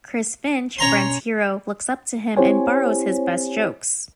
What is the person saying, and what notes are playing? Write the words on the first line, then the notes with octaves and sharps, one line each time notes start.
Chris Finch, Brent's hero, looks up to him and "borrows" his best jokes.
B2 C#4 C#5 A#5 C6
C4 E4 G4 C5 C#5 G#5